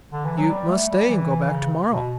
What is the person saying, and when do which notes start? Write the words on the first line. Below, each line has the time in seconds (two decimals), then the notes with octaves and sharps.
You must stay and go back to-morrow.
0.12 D3
0.25 E3
0.37 F#3
0.50 G3
0.70 A3
0.90 G3
1.09 E3
1.30 E3
1.50 C#3
1.90 B2